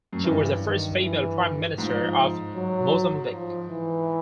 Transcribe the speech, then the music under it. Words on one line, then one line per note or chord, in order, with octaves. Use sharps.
She was the first female Prime Minister of Mozambique.
F#2
G2 E3
D#3
E3
G#2 F3
F#3
F3
E3